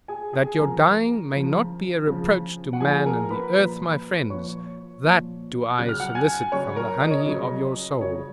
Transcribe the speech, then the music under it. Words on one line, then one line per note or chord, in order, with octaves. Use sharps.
That your dying may not be a reproach to man and the earth, my friends: that do I solicit from the honey of your soul.
G#4 G#5
G#4 G#5
C#3 F3 A#4 A#5
C#3 F3
C#3 F3
F#5
A#2 F3 G#4 G#5
A#4 A#5
B4 B5
A#2 F3
A#2 F3 C#5 C#6
A#2 F3
C#3 F#3 F#6
F6
F#5 F#6
G#5 G#6
C#3 F#3 C#5 C#6
A#4 A#5
D#5
C#5
D#5
C#3 F#3
C#3 F#3 C#5